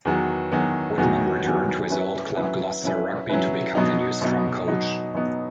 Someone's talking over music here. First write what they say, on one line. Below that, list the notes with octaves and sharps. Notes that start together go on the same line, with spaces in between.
Woodman returned to his old club Gloucester Rugby to become their new Scrum Coach.
E2 D#3 F#3 B3 F#4
E2 D#3 F#3 B3 F#4
E2 D#3 F#3 B3 F#4
E2 D#3 F#3 B3 F#4
F#3 C#4 E4 B4
F#3 C#4 E4 B4
F#3 C#4 E4 B4
F#3 C#4 E4 B4
B2 F#3 B3 D#4
B2 F#3 B3 D#4
B2 F#3 B3 D#4
B2 F#3 B3 D#4